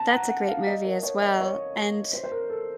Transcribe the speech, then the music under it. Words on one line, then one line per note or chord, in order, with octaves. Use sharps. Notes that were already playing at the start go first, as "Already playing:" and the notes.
That's a great movie as well and
Already playing: A5 A#5
F#5
F#5
F5
D#5
A#4
C#5
D#5
C#5
C5
C5
A#4
A4